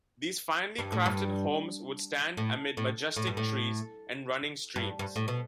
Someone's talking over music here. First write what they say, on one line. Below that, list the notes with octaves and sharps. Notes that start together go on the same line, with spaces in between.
These finely crafted homes would stand amid majestic trees and running streams.
G2
A2
G2
A2
A2
A2
G2
A2
G2
G2
A2
B2